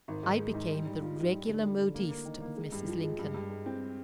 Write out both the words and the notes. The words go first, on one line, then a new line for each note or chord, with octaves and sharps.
I became the regular modiste of Mrs. Lincoln.
G#1
G#2
G#3
G#2
G3
G3
F4
G#2
G3
D3
G3
D3
A#3
A#3
D#3
A#3
G#3
G2
F3
G#3
G2
G2
G#3
C4